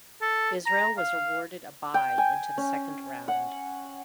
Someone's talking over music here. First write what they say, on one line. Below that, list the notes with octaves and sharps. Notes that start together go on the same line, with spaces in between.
Israel was awarded a bye into the Second Round.
A4
A#5
F5
G5
G#5
C#4
F#5